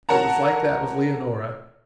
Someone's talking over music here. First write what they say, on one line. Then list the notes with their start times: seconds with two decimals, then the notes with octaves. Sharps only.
It was like that with Leonora.
0.09 A#4 C#5 F#5 A5 A#5